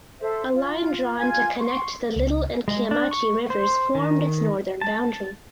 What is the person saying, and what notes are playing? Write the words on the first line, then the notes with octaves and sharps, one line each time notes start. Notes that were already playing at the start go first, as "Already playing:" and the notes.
A line drawn to connect the Little and Kiamichi rivers formed its northern boundary.
A4 C5 E5
F4
F4 G#5 G#6
C6 C#6
C#2
G#3
D4
C#6
C5
D#3
A5